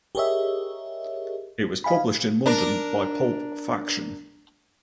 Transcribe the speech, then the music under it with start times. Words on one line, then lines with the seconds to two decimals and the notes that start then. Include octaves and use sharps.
It was published in London by Pulp Faction.
0.15 G4 G#4 A#4 C#5 D#5 E5
1.84 D#5 F5 G#5 B5
2.46 D4 A#4